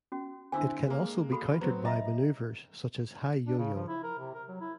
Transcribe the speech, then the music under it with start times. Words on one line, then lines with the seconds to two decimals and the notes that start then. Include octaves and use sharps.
It can also be countered by maneuvers such as high yo-yo.
0.12 C#4 F#4
0.52 D3 C4 E4 G#5 E6
0.87 G#3 A#3
1.32 F#4 A4 B5
1.61 F#3 B3 C4
1.85 D#5 E5 A#5
3.47 D4
3.59 C#3
3.75 F3
3.88 E4
4.04 A#4
4.19 C3
4.34 A#4
4.48 F#3
4.61 E4